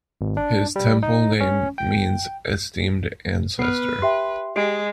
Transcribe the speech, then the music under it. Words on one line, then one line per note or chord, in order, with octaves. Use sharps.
His temple name means "Esteemed Ancestor".
G#1
D4
G3
D#4
C#4
G5
B3 B4 F6 C7
G4 E5 G5 C6
G#3 G4 C7 D7